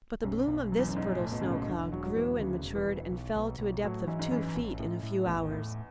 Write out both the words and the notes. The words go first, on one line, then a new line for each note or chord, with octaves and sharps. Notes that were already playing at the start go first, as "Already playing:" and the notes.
But the bloom of this fertile snow cloud grew and matured and fell to a depth of two feet in a few hours.
B1 F#2
B1
F#3
E2
F#2
B1 G#2
A2
B2
B1 C#3
B2
E1 D3
E1 F#3
F#3
E1 E3
D2 C#3
E1
E3
E1
B1
B1
B1
A2 F#3
G#2 E3
G#2
F#2 E3
A1
A2
A2
A1 E2
A2